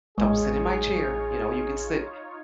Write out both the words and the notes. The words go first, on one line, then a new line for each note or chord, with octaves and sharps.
"Don't sit in my chair." You know, "You can sit"
A1 G#3 D#4 F4 G#4 C#5